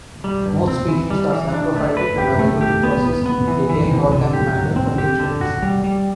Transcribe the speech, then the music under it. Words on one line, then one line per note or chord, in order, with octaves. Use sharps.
Most species are saprophytic and are able to process decaying organic matter for nutrients.
G3
G2
C4
E3
G3
E3
D4
A3
B4
G4
A3
G4
B3
B3
B3
E3
E3
C3
D3
G4
F#3
C4
G4
D3
F#4
G3
G3